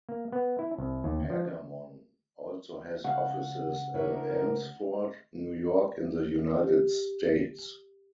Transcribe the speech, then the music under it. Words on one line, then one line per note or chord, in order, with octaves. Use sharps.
Pergamon also has offices in Elmsford, New York in the United States.
A#3
B3
E4
C2
D#2
F3
C#2 F5 F#5
D2 D4 E4 A#4 C#5
G4